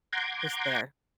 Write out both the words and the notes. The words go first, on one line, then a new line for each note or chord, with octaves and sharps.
just there.
F#5 A#5 C6 D6 G6 G#6